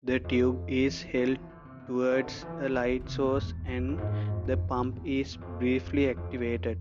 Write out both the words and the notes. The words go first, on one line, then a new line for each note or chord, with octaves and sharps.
The tube is held towards a light source and the pump is briefly activated.
E2
F2
F3
E3
E3
F3
F3
E3
D3
C3
B2
C3
D3
D3
E3
D3
D3
D3
C3
B2
G#2
E2
F2
E2
F2
G#2
F2
F2
G#2
E2
F2
E2
F2
F2
E2
F2
F2